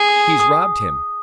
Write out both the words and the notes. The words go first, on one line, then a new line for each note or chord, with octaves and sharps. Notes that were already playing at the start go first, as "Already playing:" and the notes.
He's robbed him!
Already playing: G#4
D#6
D#6